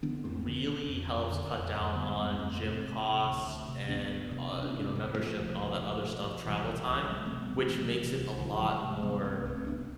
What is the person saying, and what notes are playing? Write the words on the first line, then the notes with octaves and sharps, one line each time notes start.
really helps cut down on gym costs, and, uh, you know, membership and all that other stuff, travel time, which makes it a lot more,
D3 B3 D4
F2 A3 C4
D3
D3
F2
F2
D3
F2
F2
D3 G3 B3
F2 G3 B3
F2 A3 C4
C3
C3
C3
D2
D2
C3
D2 B3 D4
D2
C3
C3 C4
D4
C4
C3
D4
A3 C4
D2
B2 F3 A3
C2
B2
B2
B2
B2
C2 E3 G3
C2
C2
B2 F3 A3
A3 C4
B2
G3 B3
B2
F3 A3
C3 E3 G3
C3
C2
C2 D3 F3
C3 E3 G3
C3 F3 A3
C3 G3 B3
C2 A3 C4
C2 A3 C4
C4
C2 B3 D4